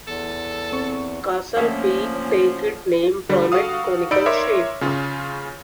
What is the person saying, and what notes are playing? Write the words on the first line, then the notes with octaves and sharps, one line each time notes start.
Castle Peak takes it name from its conical shape.
E2 A4
C4 C#6
D2 F3 A#3 C#4 C#5 E5
D3 G3
F#4 A4 F5 D#6
D#4 D5 B5 E6 D7
A#4 C#5 E5 C6 D6
C#3 C#4 F4